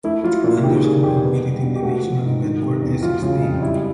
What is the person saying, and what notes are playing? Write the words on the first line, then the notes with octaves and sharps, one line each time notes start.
Anderson competed in the national event for Essex team.
A3 E4
F#3 F4
A#2 F4
D#3 G4
C3 G#4
F2 G4
B3
G3
B2
G4
A3 F#4
F3
G#2
D#3
C3
E2
F#3 F4
C#3
F2
G3 E4